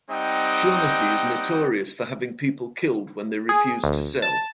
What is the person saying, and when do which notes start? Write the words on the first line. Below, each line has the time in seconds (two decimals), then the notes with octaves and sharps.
Shaughnessy is notorious for having people killed when they refuse to sell.
0.10 G3 C4 D#4 D#5 F#5 G5
3.49 G#4
3.84 D2
4.22 A5